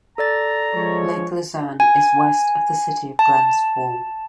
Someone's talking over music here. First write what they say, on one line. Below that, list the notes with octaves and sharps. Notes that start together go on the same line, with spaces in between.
Lake Luzerne is west of the city of Glens Falls.
A4 D5 A#5 A6
F3 G#3 C#5
G#5
A5